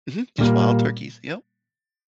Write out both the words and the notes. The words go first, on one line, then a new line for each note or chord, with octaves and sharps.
Mhm, just wild turkeys, yep.
A#2 G3 A#3